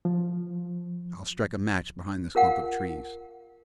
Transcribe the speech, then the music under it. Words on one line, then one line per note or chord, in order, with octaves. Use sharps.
I'll strike a match behind this clump of trees.
F3
F4 A#4 F5 F#5